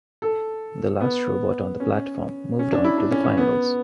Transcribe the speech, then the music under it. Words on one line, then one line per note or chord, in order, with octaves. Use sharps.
The last robot on the platform moved on to the finals.
A4
B3
C#4
C#4
D4
E4
D4
C#4
C#4
B3